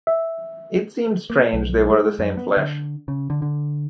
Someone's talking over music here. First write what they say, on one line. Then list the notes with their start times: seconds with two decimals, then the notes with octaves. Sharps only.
It seemed strange they were the same flesh.
0.07 E5
1.30 A#3
1.53 B1
1.90 G#3
2.19 F#2
2.37 B3
2.57 D3
3.08 C#3
3.30 D3
3.42 D3